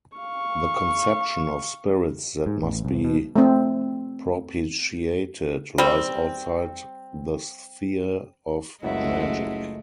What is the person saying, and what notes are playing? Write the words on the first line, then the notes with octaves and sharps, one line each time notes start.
The conception of spirits that must be propitiated lies outside the sphere of magic.
F5 C#6
G#2
A1
C2
B2
A3 C4
G3 C4
F#1 C#2 F#2 G#3 A3 E5 F#5